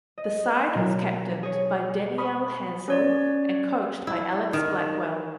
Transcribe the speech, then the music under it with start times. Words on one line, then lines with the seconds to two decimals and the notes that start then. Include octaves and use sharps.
The side was captained by Danielle Hazell and coached by Alex Blackwell.
0.18 D#5
0.74 B2 F#3 D4 A#4
1.43 G#4 C#5
2.18 B5 C#6 D#6 F6 B6
2.88 C#4 C#5 D5
4.07 E4
4.53 D#3